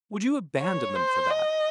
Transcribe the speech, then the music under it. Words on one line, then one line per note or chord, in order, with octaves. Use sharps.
Would you abandon them for that?
C#5
C5
D#5